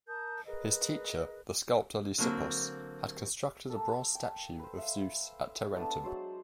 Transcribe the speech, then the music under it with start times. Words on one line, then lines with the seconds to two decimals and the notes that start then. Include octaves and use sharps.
His teacher, the sculptor Lysippos, had constructed a bronze statue of Zeus at Tarentum.
0.08 A#4 A5 D#6 G6
0.46 G#4 A#4 B4 D#5
2.18 D3 F#3 A#3 C4
3.70 A#3 A4
4.15 G5
4.60 B4 C5
4.78 E5 F5
5.75 A3 B3 D4 A4
6.04 F#3 G#3 C5